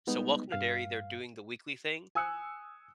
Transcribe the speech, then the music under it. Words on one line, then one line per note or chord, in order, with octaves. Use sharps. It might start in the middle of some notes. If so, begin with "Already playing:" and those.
So, Welcome to Derry, they’re doing the weekly thing.
G3 G#3 B3 D#4
G2 F5
G#5 D#6 E6 F#6 C#7